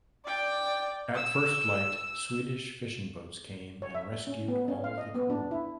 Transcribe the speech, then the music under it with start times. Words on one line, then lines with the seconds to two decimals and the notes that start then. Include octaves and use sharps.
At first light Swedish fishing boats came and rescued all the crew.
0.25 D5 G5
1.15 E6
3.82 C#5
3.95 E5
4.27 C#4
4.48 B3
4.68 C#4
4.84 F5
4.98 D#5
5.14 B3
5.30 D4
5.51 E4